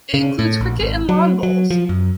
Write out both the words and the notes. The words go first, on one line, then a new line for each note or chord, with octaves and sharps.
It includes cricket and lawn bowls.
C#3
A2
A#1
G#1
F#3
F#3
F3
F#2